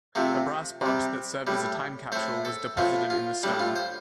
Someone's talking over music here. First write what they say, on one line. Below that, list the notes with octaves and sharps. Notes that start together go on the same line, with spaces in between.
A brass box that served as a time capsule was deposited in the stone.
C3 F3 A3
C3 G3
A2 G3
A2 A3 C5
A4
A2 F3 A3 F4
F4
A2 G3 D4
F4
C5